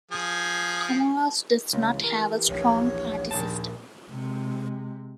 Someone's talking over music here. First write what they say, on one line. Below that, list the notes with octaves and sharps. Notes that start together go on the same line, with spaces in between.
Comoros does not have a strong party system.
F3 G#4
C#2 E3 G4
A#4
A#1 D#2 A2 C#5
A#1 D#2 A5
C3 G#3